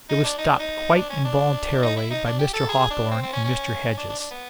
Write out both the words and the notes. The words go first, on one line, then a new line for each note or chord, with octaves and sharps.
It was stopped, quite involuntarily, by Mr. Hawthorn and Mr. Hedges.
D#4
D4
D#4
D4
D#4
D4
C#4
D4
D#4
E4
D#4
D4
G4
A4
G#4
D4
C4
C4
C#4
C#4
D4
D4
D4
B3